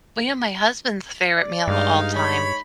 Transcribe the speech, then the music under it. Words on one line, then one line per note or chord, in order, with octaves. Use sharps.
Well, you know, my husband's favorite meal of all time
D5
G2 G#3 D#4 F5
C#5 B5